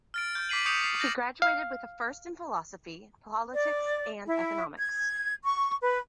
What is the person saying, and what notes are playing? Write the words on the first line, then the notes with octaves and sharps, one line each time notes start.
He graduated with a First in Philosophy, Politics and Economics.
F6 A6 D7
G6
D6 B6 C7 D#7 F#7
C#6 D#6 G6 C#7 F7
A6 C7 F7
G6 A6 A#6 F#7
F5
D5
E4
G#6
C#6
B4